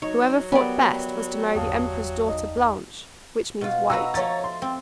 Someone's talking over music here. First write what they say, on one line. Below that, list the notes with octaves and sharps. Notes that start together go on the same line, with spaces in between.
Whoever fought best was to marry the Emperor's daughter Blanche, which means white.
F#3 D#4 C#5 D#5
G3 B3 A#4 D5 E5 B5
G1 E2 F5 A5 D#6
D#4
B2 F4
D#4 F#4 B4 A#5 E6
F3 A3 C#5 A#5 A6
C6
C4